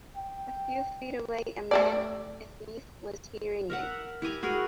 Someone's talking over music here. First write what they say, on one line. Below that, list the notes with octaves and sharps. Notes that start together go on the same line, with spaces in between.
A few feet away a man, a thief, was peering in.
G5
A3 C5 D5
A#4 E5 F#5
E4 G4 G#5 A#5
F#4 G#4 A#4